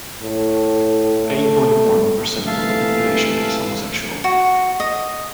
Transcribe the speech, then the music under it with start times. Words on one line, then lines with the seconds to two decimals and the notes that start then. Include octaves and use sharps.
Eight-point-one percent of the population is homosexual.
0.22 A2
1.25 A3
2.47 C3 E3 A3 E5 F5 A5
4.24 F#4
4.80 D#5